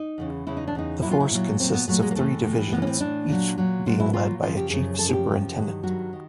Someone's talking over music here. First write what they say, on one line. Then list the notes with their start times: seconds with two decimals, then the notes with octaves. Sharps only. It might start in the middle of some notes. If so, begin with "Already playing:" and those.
The force consists of three divisions, each being led by a chief superintendent.
Already playing: D#4
0.18 E2 C#3 E3
0.47 E2 C#3 E3 E4
0.57 D#4
0.67 D4
0.75 E2 C#3 E3 D#4
1.02 A#2 F#3 E4
1.11 F4
1.20 E4
1.31 A#2 F#3
1.60 A#2 F#3 C4
1.73 B3
1.88 A#2 F#3 A3
2.02 G#3
2.11 A#3
2.16 A2 E3 A3
2.44 A2 E3
2.72 A2 B3
2.77 E3
2.82 C#4
2.87 C4
3.01 A2 E3 D4
3.29 A#2 F#3
3.58 A#2 F#3
3.86 A#2 F#3 F4
4.00 E4
4.13 A#2 F#3 F4
4.42 F#2 C#3 F3 F4
4.57 G4
4.70 F#2 C#3 F3 G#4
4.94 G#4
4.98 F#2 C#3 F3 A4
5.09 G#4
5.13 G4
5.27 F#2 C#3 F3
5.55 G2 D#3 F#3
5.83 G2 D#3 F#3 F#4
6.13 D#3